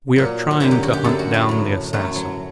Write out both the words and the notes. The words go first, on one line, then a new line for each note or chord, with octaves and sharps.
We are trying to hunt down the assassin.
A#2 F#3
F#4
F#2 D3 F#3 G4
G4
F#4
G4
F#2 F#3 A4
F#4
A3
A2 F#3
F#2 F#3 A3
F#3